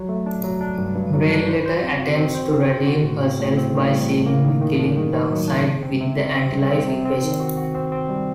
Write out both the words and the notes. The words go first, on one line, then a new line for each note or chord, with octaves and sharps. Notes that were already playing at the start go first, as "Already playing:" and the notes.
Grail later attempts to redeem herself by seemingly killing Darkseid with the anti-life equation.
Already playing: F#3
A3
D4
F#3
D4
G2
G2
F#3
D4
C5
C5
C4
F#4
C4
C5
C4
C5
F#4
A2
C4
A2
C4
A2
G3
A2
A#3
D#3
D#3
D4
D#3
D#3
F#3
D4
C3
C4
C3
C3
C4
G3
C4
C3
C4
D#3
F#4
F#4
C4
C4
G3